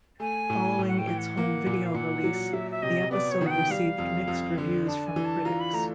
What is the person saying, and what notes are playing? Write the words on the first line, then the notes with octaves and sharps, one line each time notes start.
Following its home video release, the episode received mixed reviews from critics.
A3 G#5
A2
A2
F#5
G5
E3
F#5
A#3
A#2
F5
A#2 F#5
F#3
F#3 E5
E5
C3 D#5
B3 D5
C#5
D#3 F#5
G5
G3 F5
F2
F2
D3
D4 A5
G#5
E3
A5
F4 A#5
B5
A3 A#5